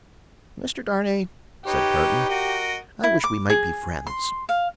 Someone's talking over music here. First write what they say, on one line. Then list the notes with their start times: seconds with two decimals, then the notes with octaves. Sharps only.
"Mr. Darnay," said Carton, "I wish we might be friends."
1.66 D#4 G4 B4 C#5
2.29 F#4 A#4 D#5
3.03 E4
3.24 D6
3.50 G#4
4.07 C6
4.49 F5